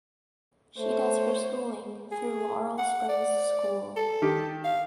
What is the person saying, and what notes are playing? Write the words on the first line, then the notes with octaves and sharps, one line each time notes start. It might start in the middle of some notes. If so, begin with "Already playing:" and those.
She does her schooling through Laurel Springs School.
A3 C5 C#5
G#4
F#5
D5
A4
D#3 G4
F5